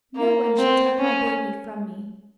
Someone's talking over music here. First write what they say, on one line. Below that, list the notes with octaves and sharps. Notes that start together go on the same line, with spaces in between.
No one shall take my baby from me.'
A#3
C4
C#4